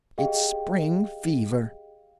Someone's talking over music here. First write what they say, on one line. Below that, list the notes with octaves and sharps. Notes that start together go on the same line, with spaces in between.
It's spring fever.
G4 G#4 D#5 F5 G5